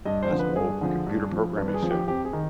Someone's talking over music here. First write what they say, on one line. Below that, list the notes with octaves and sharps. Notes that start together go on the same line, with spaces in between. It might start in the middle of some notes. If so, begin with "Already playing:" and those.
That's the whole computer programming saying,
G2 D#5
C5
D3 F3
B4
G2 G#4
D3 F3
G2
F3
G2 B4
B4
G#4
F3
G4
F2 G4
G#4
D#3